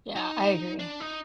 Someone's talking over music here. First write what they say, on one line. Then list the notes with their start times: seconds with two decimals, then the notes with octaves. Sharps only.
Yeah, I agree.
0.16 D#4
0.79 D4
1.00 D#4